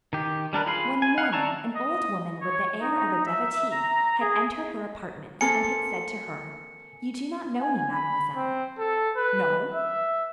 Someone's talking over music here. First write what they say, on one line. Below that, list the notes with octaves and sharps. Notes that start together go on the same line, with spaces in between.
One morning an old woman with the air of a devotee, had entered her apartments, and had said to her, "You do not know me, Mamemoiselle?" "No."
D#3 G4
G3 D4 A#4 B4
F4 G#4 B5 C6
G#5
F5 F#5
D5 E5 A5 A#5 C#6
D#5
C#5
D#4
E5
A#5
G#4
A#3 C4 A4 G#5 C#7
G#5
B5
C4
A4
B4
E5